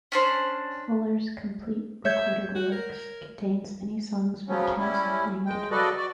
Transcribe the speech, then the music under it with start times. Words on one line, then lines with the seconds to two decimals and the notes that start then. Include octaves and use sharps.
Fuller's "Complete Recorded Works" contains many songs with Council playing guitar.
0.12 C#4 D4 C5
2.05 C#5 E5 G6 G#6
2.55 F#4
2.72 A#4
4.48 C#3 F3 F#3 B3 C#4
4.77 G3 C#4 E4
5.46 G#3 G5
5.71 C#3 F#4 A4 B4 D5 D#5
5.97 F#4 D5